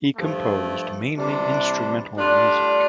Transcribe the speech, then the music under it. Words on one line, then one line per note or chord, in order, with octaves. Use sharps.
He composed mainly instrumental music.
G2 F3 A3
C3 E3 G3 D4
A2 G3 D4 F4